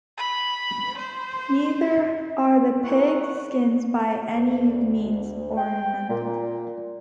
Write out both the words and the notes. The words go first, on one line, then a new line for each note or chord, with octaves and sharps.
Neither are the pig-skins by any means ornamental.
B5
C5
E4 G#4 A#4 C#5 F#5
D2
G5
A#2